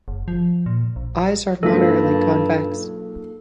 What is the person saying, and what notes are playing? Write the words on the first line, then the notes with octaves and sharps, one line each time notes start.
Eyes are moderately convex.
F#1
F3
A#2
A#1
B1 G2 G#3 A#3 F4 A4 B6